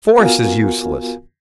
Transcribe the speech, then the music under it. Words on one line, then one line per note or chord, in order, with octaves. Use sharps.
Force is useless!
B3 F4 F#4 A#4 F5 G#5